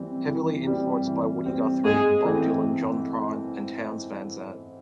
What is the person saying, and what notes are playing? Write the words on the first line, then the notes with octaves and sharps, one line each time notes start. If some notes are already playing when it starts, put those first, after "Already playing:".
Heavily influenced by Woody Guthrie, Bob Dylan, John Prine, and Townes Van Zandt.
Already playing: E3 G3 C4
E3
G3 C4
E3
G3 C4
G#2 G#3 G#4
E3 A3 C4